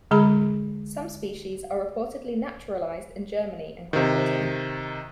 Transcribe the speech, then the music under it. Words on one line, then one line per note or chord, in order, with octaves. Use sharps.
Some species are reportedly naturalised in Germany and Great Britain.
D3 G#3 G#4 B5
C3 D#3